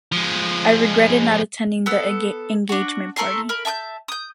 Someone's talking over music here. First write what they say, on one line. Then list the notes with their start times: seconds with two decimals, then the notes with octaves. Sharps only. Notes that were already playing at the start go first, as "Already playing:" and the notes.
I regretted not attending the engagement party.
0.12 F3 G#3
1.86 B3 A4 E6
2.69 D4 F#4
3.16 A3 A4 A#4 C6
3.49 A#4 B5
3.65 E5 A5 D6 G6
4.08 D#6 G6